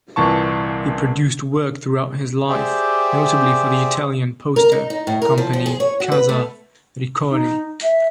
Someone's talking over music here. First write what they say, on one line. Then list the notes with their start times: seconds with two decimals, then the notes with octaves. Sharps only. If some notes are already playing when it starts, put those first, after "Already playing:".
He produced work throughout his life, notably for the Italian poster company Casa Ricordi.
0.16 C2 A#2 E3 A5 C#6
2.49 G4 G#4 C5 D5 E5 G5
4.56 A#4
4.72 D#4
4.90 D#4
5.07 A2
5.22 A#4
5.38 F3
5.53 F3
5.66 G#4
5.80 C#5
6.00 F#4
6.12 B4
6.29 A3
7.30 D#4
7.83 E5